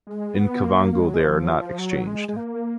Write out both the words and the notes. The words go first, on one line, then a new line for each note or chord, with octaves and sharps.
In Kavango, they are not exchanged.
G#3
B3
A#3
A#3
G#3
F#3
G#3
F3
F#3
F3
F#3
G#3
G#3
A#3